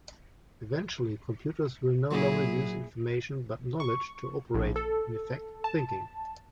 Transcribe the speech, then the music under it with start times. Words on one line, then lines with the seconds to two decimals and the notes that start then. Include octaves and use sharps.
Eventually computers will no longer use information but knowledge to operate, in effect "thinking".
2.11 A#2 F#3 E4 G#4
3.80 C#6
4.54 A#1
4.76 A4
5.64 A5